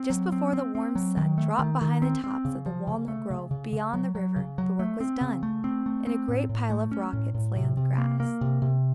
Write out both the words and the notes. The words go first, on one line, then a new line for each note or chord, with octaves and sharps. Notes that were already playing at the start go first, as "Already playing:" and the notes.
Just before the warm sun dropped behind the tops of the walnut-grove beyond the river the work was done, and a great pile of rockets lay on the grass.
Already playing: C4
F#3
C4
C4
C4
F#3
D#3
A3
D#3
D#3
C4
C4
C#3
F3
C#3
A3
C#3
C#3
C#3
F#3
F#3
C#3
F#3
A3
C4
C#3
A3
C4
A3
C4
A2
A2
A3
C#4
A2
A2
C3
C3
A#3
A#3
C3
C3